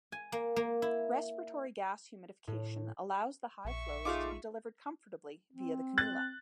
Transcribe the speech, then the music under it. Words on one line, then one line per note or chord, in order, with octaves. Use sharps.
Respiratory gas humidification allows the high flows to be delivered comfortably via the cannula.
G#5
A#3
A#3
E4
A2
A#1 E5 C#6
A3 D#4 F4 G#4 F5 D6
C4
F#6 A6